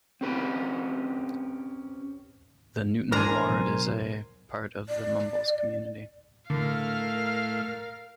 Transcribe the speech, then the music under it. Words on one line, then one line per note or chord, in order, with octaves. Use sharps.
The Newton ward is a part of the Mumbles community.
C4 C#4 G4 B4
A#2 E3 D4 A#4 C5 G#5 A#5
B2 F#3
D5
A2 D3 A3 A#4 F5 F6